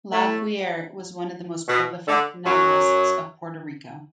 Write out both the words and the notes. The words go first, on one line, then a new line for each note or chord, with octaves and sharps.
Laguerre was one of the most prolific novelists of Puerto Rico.
A2 A3
B2
D3
F#2 F#3